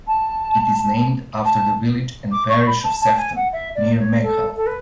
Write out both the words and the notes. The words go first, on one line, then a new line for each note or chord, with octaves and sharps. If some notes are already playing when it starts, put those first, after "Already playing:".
It is named after the village and parish of Sefton, near Maghull.
A5
A5
D6
C#6
B5
A5
A5
G#5
F#5
E5
D5
C#5
A4
A4
B4